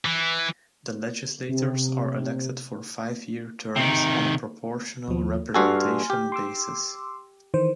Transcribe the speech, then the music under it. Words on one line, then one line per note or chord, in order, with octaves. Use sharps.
The legislators are elected for five year terms on a proportional representation basis.
E3
C3
C3 D#3
D#2 F3
G2 F#4 A4 G#5 C6 F6
G4
C6 D6 E6
D#3 E3 C5